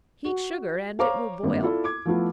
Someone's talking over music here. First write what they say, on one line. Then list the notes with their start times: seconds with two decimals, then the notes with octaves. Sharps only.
Heat sugar and it will boil.
0.25 F#4
0.99 C5 C#5 F5 A#5 D6
1.43 G#1 G2 A#3
1.62 E4 F4 A4 D5
1.84 D6 G#6
2.05 F3 A3 B3 E4 F4